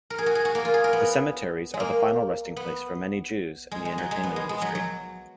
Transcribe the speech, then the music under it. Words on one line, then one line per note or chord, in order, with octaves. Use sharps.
The cemeteries are the final resting place for many Jews in the entertainment industry.
A#4
G#4
F#4
G#4
F#4
A#3
F4
G#4
A#4
B3
G#3
A#3
B3
G#3
G#3
F#3
G#3
B3
G#3
G#3
F#3
F#3